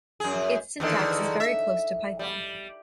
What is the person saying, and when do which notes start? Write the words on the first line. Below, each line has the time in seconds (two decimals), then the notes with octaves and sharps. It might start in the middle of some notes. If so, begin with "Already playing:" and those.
Its syntax is very close to Python.
0.20 F#2 G#4
0.80 E2 D3 D#3
1.40 E5
2.19 G3